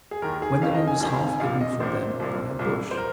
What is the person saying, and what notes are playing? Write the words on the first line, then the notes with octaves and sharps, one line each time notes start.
Gwendolen was half hidden from them by a bush.
G#4
D#2 D#3 A#4
G#4
F1 F2 D#3 F5
D#5
G#5
F1 F2 D#3 G#5
F5
G#5
A#1 A#2 F5
D#5
A#1 A#2 C5
C2 A#2
C2 A#2
C5
A#4